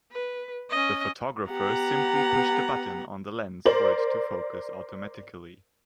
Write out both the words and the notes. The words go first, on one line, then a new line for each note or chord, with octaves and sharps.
The photographer simply pushed a button on the lens for it to focus automatically.
B4
C#4 D#5
B3 G4 F#5 A#5
A#4 C5 D5 F#7